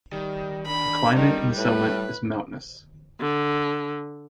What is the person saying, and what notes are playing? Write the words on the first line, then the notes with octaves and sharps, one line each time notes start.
The climate in the settlement is mountainous.
D#3 G3
D4 B5
D#3 G3
A2 B4
D3